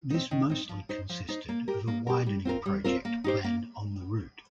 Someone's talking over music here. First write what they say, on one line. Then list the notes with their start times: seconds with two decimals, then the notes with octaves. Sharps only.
This mostly consisted of a widening project planned on the route.
0.10 C4 D#4
0.31 D#3
0.50 C4 D#4
0.69 F3
0.89 D#4 C5
1.09 F3
1.28 D#4 C5
1.49 A#3
1.68 G4 A#4
1.88 A#3
2.07 G4 A#4
2.26 G3
2.45 C4 F4 A#4
2.66 G3
2.84 C4 F4 A#4
3.05 A#3
3.24 D#4 G4 C5
3.44 A#3